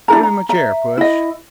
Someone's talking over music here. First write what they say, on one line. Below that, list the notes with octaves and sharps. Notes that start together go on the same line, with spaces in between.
"Give him a chair, Puss."
D4 E4 A#4 A#5
A#5
E5 A#5
E4 D#5